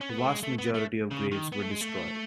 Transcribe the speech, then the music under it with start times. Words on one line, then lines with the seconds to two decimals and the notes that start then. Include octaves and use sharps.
The vast majority of graves were destroyed.
0.01 C#4
0.09 B3
0.18 A3
0.28 G#3
0.43 A3
0.58 B3
0.74 A3
1.11 C#3
1.32 D#3
1.52 B3
1.62 A3
1.71 G#3
1.81 A3